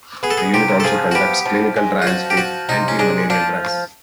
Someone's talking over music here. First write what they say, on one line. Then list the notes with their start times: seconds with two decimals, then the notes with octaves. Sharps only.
The unit also conducts clinical trials with antimalarial drugs.
0.23 B3 G#4
0.31 A4
0.37 G#4
0.54 C3 G4
0.80 A4
0.84 F3 G#4
1.11 F#4
1.15 B3 G4
1.46 F3
1.76 G#3
2.02 F4
2.07 F3 F#4
2.30 G4
2.37 F3 F#4
2.69 C3 D#4
2.88 C#4
2.99 G#3 D4
3.30 F3 D4